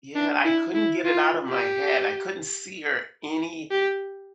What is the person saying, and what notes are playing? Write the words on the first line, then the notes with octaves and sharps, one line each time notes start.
Yeah, I couldn't get it out of my head. I couldn't see her any
D4
E4
E4
F4
G4
G4